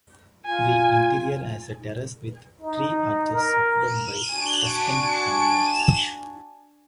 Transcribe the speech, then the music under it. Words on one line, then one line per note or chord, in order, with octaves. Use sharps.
The interior has a terrace with three arches supported by Tuscan columns.
F4 G#5
D#4
A#4
D4 F#4 G#5 A5